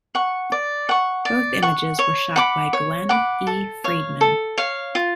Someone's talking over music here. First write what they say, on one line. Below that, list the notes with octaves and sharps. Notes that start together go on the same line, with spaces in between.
Both images were shot by Glen E. Friedman.
F#5 C#6
D5
F#5 C#6
D5
F#5 C#6
C#5
F#5 B5 D6
C#5
F#5 B5 D6
A4
C#5 F5
A4
C#5 F5
F4